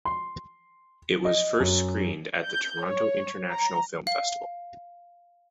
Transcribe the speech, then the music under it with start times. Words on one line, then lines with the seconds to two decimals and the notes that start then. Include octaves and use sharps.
It was first screened at the Toronto International Film Festival.
0.05 C6
1.25 D#5
1.60 F#2
2.46 G6
2.83 C#5
3.52 A#5
4.07 F5